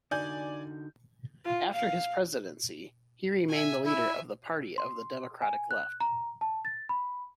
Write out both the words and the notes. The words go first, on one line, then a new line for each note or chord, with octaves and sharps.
After his presidency, he remained the leader of the Party of the Democratic Left.
D3 D#4 F#4 D5 G#5 G6
F4
F5
E5 G#5
E4 E5 G#5
C6
G#5
F#6
A#5
A5
A6
B5